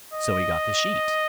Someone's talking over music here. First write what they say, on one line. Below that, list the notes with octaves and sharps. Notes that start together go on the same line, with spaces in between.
So he got the sheet.
D#5